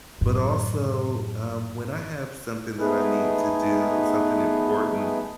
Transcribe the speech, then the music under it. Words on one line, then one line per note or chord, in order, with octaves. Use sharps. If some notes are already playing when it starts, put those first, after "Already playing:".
But also, um, when I have something that I need to do, something important,
F#2 A2
A3 B3 D#4 G#4 B4